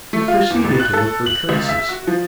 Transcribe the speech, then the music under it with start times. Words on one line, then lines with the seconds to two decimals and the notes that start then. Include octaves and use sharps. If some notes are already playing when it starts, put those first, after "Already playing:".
We proceeded to look for traces.
0.13 A3
0.28 F4
0.50 E2
0.64 A1
0.80 F#6
0.93 A4
1.26 F#7
1.49 C#2
1.69 E5
1.89 F#4
2.07 F3